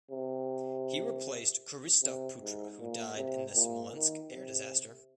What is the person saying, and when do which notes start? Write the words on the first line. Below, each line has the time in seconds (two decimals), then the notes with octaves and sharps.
He replaced Krzysztof Putra who died in the Smolensk air disaster.
0.11 C3
2.02 C3
2.41 G#2
2.79 A#2
3.17 C3
3.55 A#2
3.93 D#3
4.31 C3